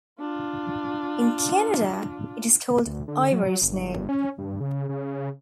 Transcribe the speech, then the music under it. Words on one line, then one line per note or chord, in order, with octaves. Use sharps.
In Canada, it is called Ivory Snow.
D4 F4
D2
D3
F#3
G1
C#4
G2
C#3
C#3